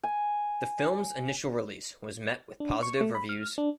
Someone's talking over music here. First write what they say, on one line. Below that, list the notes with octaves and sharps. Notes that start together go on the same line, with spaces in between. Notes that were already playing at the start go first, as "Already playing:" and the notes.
The film's initial release was met with positive reviews.
G#5
D4
C#6
A3
B5
F6
D4